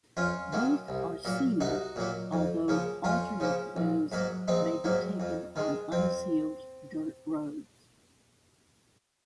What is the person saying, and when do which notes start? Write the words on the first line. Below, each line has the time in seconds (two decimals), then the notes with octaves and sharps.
Both are sealed, although alternate ways may be taken on unsealed dirt roads.
0.17 F2 C#4 F4
0.52 D#3 F#3 A#3
0.88 C2
1.25 A#2 F#3 A#3
1.61 C2 D#4 F#4
1.96 A#2 F#3 A#3
2.33 F2
2.68 C#3 F3 A#3
3.04 F2 C#4 F4
3.40 C#3 F3 A#3
3.77 A#1
4.12 G#2 F#3 A#3
4.48 A#1 C4 D#4
4.84 G#2 F#3 A#3
5.20 F2
5.56 D#3 G#3
5.92 F2 C4